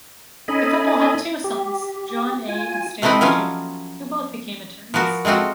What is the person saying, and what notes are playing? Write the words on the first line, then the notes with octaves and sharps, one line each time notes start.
The couple had two sons, John A. and Stanley Junior who both became attorneys.
C#4 D#4 A4 D#5 G#5 B5
G4
F4 G#5
C3 A3 C4 D#4 E4 B4
F3 F#3 B3 C#4 F4
F3 B3 F#4 A#4
G#3 A3 C4 F4 F#4